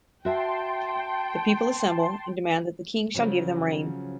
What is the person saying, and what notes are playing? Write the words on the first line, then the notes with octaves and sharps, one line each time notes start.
The people assemble and demand that the king shall give them rain.
F#4 E5 G5 A5 C6
C#3 F3 F#3 C#4